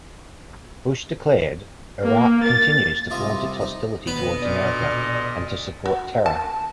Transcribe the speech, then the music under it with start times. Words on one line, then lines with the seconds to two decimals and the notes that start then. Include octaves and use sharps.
Bush declared, Iraq continues to flaunt its hostility toward America and to support terror.
2.04 A#3
2.44 A6
3.10 C2 C3 F4 D#5 E5
3.61 D#4
4.07 B2 D3 B3 D#5
4.42 A#2 D5
5.86 F#4
6.26 A5